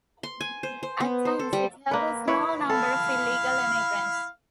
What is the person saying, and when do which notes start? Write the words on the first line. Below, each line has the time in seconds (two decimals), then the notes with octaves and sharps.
At times, it held a small number of illegal immigrants.
0.23 C6
0.41 G#5
0.63 C5
0.83 C5
1.00 B3
1.25 C5
1.39 A4
1.53 G3
1.91 A#3 B4
2.28 E4 B4 C#5
2.69 E4 A4 F5